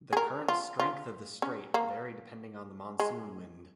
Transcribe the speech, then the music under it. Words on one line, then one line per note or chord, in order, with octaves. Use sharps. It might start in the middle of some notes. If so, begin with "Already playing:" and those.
The current strength of the strait vary depending on the monsoon wind.
G#4
A#4
F4
F4
C#4
A#3
G#3